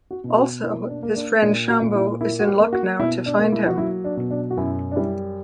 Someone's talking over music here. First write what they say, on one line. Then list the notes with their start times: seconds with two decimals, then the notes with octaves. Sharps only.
Also his friend Shambhu is in Lucknow to find him.
0.11 F#4
0.24 B2
0.37 F#4
0.63 A#3 E4
0.90 D4
1.03 A#3
1.16 D4
1.42 A#2 D4
1.68 F#4
1.82 A#2
1.95 E4
2.21 A#3 E4
2.39 F#4
2.47 G4
2.60 A#3
2.73 F#4
2.99 B2 E4
3.26 D4
3.39 A#3
3.52 E4
3.67 F#4
3.78 F#3 E4
4.04 D4
4.17 B2
4.31 D4
4.51 F#4
4.57 F#2 E4
4.92 D4
4.96 G3 E4